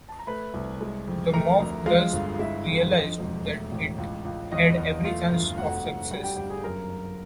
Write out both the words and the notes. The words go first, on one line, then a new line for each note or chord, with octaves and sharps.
The mob thus realized that it had every chance of success.
A5
A#5
A3 B4 B5
C2
G#3
F2
A3 A#4 A#5
D2
G#3 F4 F5
G1
G#3 E4 E5
F2
F3 D#5
E1
A3
A1
C#2
C#2
E2 D#5
E2
A3 F4 F5
G1
F1 F#4 F#5
F1
G3 F#4 F#5
G4 G5
G1 G4 G5
G#4 G#5
F#2 A#4 A#5
F#2